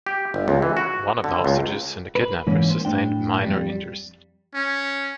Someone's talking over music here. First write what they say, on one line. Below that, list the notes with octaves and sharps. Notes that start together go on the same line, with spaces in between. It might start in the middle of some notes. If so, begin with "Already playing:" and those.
One of the hostages and the kidnapper sustained minor injuries.
G4
G1
C#2
E3
F#4
D3
C#2
B4
G#2 E3 A#3 C#4
C5
A2 D4 G5
F2 G3
C#4